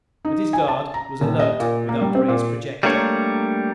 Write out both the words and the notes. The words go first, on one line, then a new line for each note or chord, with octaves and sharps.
But his guard was alert with upraised projector.
D#4
G#5
A5
A#5
D#1
D#5
A#2
A#3
G3
C4
A#2
G3 A3 A#3 D4 C#5